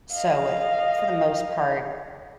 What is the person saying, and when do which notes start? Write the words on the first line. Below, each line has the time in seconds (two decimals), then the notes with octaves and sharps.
So, for the most part,
0.12 D#5 F5